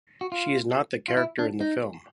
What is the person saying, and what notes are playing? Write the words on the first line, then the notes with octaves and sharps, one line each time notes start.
She is not the character in the film.
F#4
F4
F4
E4
D4
D#4